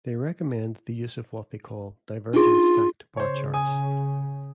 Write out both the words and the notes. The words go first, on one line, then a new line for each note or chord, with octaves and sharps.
They recommend the use of what they call diverging stacked bar charts.
D4 D#4 F4 G#4
C#3 C5 C#5
G#5 D#6